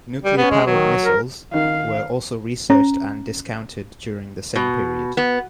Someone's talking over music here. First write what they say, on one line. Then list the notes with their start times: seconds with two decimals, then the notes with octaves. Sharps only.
Nuclear-powered missiles were also researched and discounted during the same period.
0.25 G3
0.37 B3 C#4
0.51 G#3
0.67 D#3 F#3
1.04 A#4
1.54 D#3 F5
2.70 C#4 A#5
4.56 B2
5.17 B3